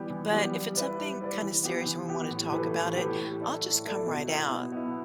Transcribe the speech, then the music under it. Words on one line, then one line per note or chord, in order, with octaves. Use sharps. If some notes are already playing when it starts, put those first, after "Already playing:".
but, if it's something kinda serious and we wanna talk about it, I'll just come right out
Already playing: E3 G3 B3 G4
E3
G3 B3 G4
G3
E4 B4 D5
G3
E4 B4 D5
E3
B3 G4
E3
B3 G4
A2
E3 A3 G4 B4
A2
E3 A3 G4 B4
A2
A3 E4 A4 D5
A2
A3 E4 A4 D5
B2
B3 E4
B2
B3 E4